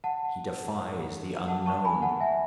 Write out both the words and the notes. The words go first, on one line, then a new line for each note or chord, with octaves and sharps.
He defies the Unknown.
F#5 A5
F#5 A5
A5 C#6
G#5 B5
F#5 A5
E5 G#5